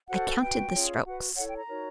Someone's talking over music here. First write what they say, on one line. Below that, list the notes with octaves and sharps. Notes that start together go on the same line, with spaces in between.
"I counted the strokes."
F#4 A4 C5 F#5
F#4 B4 G5
C#4 F4 G#4 C#5
F#4 B4 F#5
E4 A4 C#5 F#5
G5
A#5
D#4 F#4 A#4 C#5